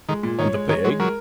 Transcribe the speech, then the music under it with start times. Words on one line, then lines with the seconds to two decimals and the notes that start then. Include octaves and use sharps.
"And the pig?"
0.09 D#3 G#3
0.23 A#2
0.39 D#3 C#5
0.54 G#3
0.69 D#3 C#5
0.84 F#3 G#3
1.00 F#3 A#4